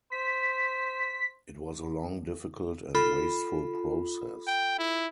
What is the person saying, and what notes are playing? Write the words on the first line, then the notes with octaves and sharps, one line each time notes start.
It was a long, difficult, and wasteful process.
C5 B6
F4 A4 B5
G5
E4